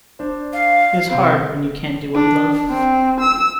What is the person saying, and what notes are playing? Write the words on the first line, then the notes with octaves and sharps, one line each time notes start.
It is hard when you can't do what you love.
D4 C5
F5
C3 C4
D4
C4
E6